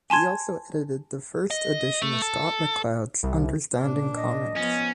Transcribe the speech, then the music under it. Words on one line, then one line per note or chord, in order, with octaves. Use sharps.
He also edited the first edition of Scott McCloud's "Understanding Comics".
G#5 A5 C6 G#6
D#5
A3
A4
C2
A#2 D4
D#5
F3 B3 C#4